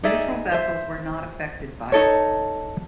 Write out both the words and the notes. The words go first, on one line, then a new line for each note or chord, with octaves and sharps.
Neutral vessels were not affected by it.
D#4 G#4 D5 E5
C5 E5
D#4 A4 C#5